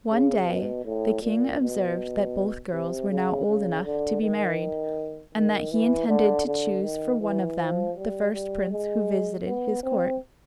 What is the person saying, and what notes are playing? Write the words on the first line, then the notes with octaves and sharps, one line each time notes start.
One day the king observed that both girls were now old enough to be married, and that he intended to choose for one of them the first prince who visited his court.
C#3
B2
A2
A#2
B2
C3
C#3
C#3
D3
D#3
D#3
E3
D3
D3
D#3
E3
F3
G3
G3
G#3
B3
C4